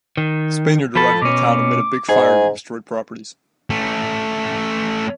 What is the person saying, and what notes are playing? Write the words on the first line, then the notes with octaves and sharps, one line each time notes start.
A Spaniard arrived in the town amid a big fire that destroyed properties.
D#3
F3 A4 B5
B2 C#4 D6
G#2 G#4
A3 C#4